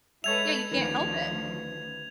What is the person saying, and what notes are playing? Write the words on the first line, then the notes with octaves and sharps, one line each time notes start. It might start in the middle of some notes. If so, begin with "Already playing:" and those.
Yeah, you can't help it.
G#3 A4 B4 C#5 E5 G#6 F7
D2 D#3 F3 C#4 B4